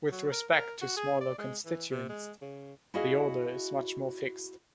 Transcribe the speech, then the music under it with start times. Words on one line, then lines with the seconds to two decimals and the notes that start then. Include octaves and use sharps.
With respect to smaller constituents, the order is much more fixed.
0.12 F#3
0.31 A#4
0.52 A#4
0.81 F#4
0.96 G#4
1.21 D5
1.38 G#3
1.65 E3
1.91 C3
2.09 G#3
2.42 C#3
2.94 E4 F#4 G#4 D#5 F5